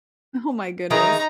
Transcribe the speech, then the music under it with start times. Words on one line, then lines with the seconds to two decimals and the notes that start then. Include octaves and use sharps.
Oh my goodness.
0.91 D#3 E3 D#4 G#4 A#5